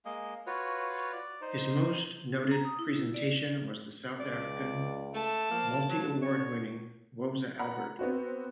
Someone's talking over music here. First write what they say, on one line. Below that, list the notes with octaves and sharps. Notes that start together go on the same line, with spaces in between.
His most noted presentation was the South African, multi-award-winning Woza Albert!
G#3 A#3 D#5
F4 F#4 B4 C#5
D5
D#4 C5
A#5
D#6
E4
D5
C#2 D5
A3 A5
F3 A#3
F#3
D3 C#5
F#5 A#5 B5
B3 C4 F#4